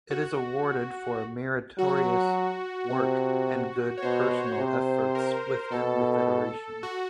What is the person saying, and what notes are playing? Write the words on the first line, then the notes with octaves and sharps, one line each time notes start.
Its awarded for meritorious work and good personal efforts within the federation.
F#4
F#3 F#4
C3 F#4
C#5
B2 C5
C3
A#4
B2 A4
F#4